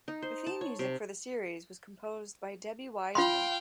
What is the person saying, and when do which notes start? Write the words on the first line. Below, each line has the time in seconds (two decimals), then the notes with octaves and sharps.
The theme music for the series was composed by Debbie Wiseman.
0.08 D#4
0.22 C5
0.46 A5
0.61 C#5
0.79 C3
3.15 F4 F5 G5 B5 C6